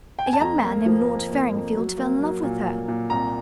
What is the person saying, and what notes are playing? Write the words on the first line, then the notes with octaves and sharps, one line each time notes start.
A young man named Lord Farringfield fell in love with her.
G5
G#5
A5
F2 A#5
A#3
F3
A#3
A#3
F2
F#3
A#3
F#3
A#2
A#3
A#2
C2 A#5